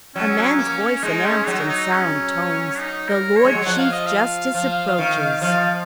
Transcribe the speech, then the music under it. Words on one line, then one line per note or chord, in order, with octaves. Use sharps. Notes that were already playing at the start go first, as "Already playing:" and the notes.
A man's voice announced in solemn tones, "The Lord Chief Justice approaches."
F#3 C#4
A#3
G#3 D#4
C#4
F#3 D#4
D#4
C#4
D#4
A#4
C#5
G#3
F#3
F3 F#5
F5
D#5
F5
F3
D#3
F3 F5